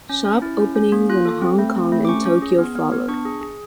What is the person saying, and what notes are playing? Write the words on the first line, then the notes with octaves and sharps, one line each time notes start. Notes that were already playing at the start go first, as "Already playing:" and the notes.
Shop openings in Hong Kong and Tokyo followed.
C#4
C#4
E4
C#4
C#4
A#3
F4 F#6
A4
C4
A3
C4
A3
D6
C#4 C#6
C#4
G#4
B3
B3
B3
D4 C#6
G#4
G#4